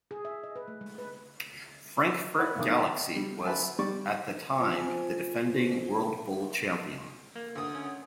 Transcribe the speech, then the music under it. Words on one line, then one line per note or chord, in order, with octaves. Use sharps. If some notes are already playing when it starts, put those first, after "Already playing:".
Frankfurt Galaxy was at the time the defending World Bowl champion.
G#4
E5
D#5
B4
A3
G#3
B4
A#4 B4 C#5 D5 E5 F#5
B1 D#3 D6 D#6
C5 D5 E5 F#5 G5 C6
G3
B4 C5 E5 F#5 G#5 A5
G3 G4 D5 C#6
F3 G#5
A#3
D2 D#6
C#4